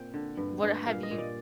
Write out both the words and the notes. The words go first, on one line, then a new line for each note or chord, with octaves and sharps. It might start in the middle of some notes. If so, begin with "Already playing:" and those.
What have you
Already playing: A#2 C4 G5
D3
G2
G2
A#2 F5
D#5
A#2
D5